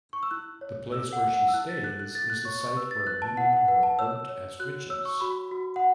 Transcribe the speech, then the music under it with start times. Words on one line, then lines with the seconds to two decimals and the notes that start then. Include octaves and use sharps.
The place where she stays is the site where women were burnt as witches.
0.13 C#6
0.23 E6
0.31 E4 F#6
0.61 C#5
0.92 A4 E6
1.13 F#5
1.24 E4
1.34 F#5
1.48 E6
1.54 E4 F#6
1.69 A6
1.84 A4 F#6
1.99 F#6
2.15 A4 A6
2.30 F#6
2.45 C#5 C#6
2.61 C#6
2.77 B4 E6
2.91 A6
3.07 B4 F#6
3.22 A5
3.37 E4 F#5
3.53 F#5
3.68 B4 F#5
3.83 A5
3.99 C#5 E6
4.29 C#5
4.59 F#4 F#6
4.90 C#5 E6
5.05 C#6
5.21 F#4 B5
5.51 F#4
5.76 F#5